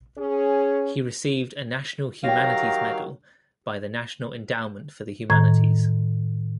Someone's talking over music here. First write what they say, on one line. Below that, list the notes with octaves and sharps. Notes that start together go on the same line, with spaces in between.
He received a National Humanities Medal by the National Endowment for the Humanities.
C#4 G#4
D#3 F#3 G4 C#5 E5 F5 G5 A#6
A2 D#3 A#5 G#6